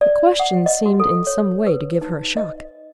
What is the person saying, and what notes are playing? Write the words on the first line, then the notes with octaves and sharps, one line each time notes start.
The question seemed in some way to give her a shock.
D5
F#5
D#5
F#4
A4
C#5
B4
D#4
D#5